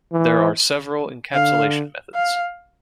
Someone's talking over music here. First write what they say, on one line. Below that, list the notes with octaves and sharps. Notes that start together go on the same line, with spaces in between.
There are several encapsulation methods.
E3
D3 F5
F5